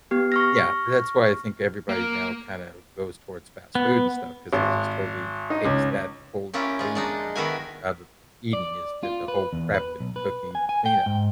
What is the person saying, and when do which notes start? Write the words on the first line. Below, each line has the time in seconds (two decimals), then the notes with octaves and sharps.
Yeah, that's why I think everybody now kinda goes towards fast food and stuff 'cause it just totally takes that whole equation out of the out of eating is that the whole prep and cooking, and cleanup.
0.11 B3 G4
0.32 C#6 F6 A#6
1.89 A#3
3.75 B3
4.53 G#1
5.50 D#4
5.65 C#2
6.53 A#3 C#4 E4 F4 G4
6.79 G#3 F4
6.95 G#3 D4 D#4
7.35 D#3 B3 E4 F#4 A#4 G#5
8.53 D5
9.03 F4
9.28 B4
9.53 E2
9.74 B4
10.00 B1
10.16 B4
10.55 G#5
10.69 G#5
10.86 G5
11.06 G#2